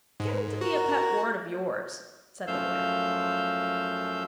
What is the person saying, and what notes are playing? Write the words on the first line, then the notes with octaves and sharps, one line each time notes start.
"Getting to be a pet word of yours," said the Lawyer.
G#2
F#4 A#4
F#2 F3 A3 F5 E6 G6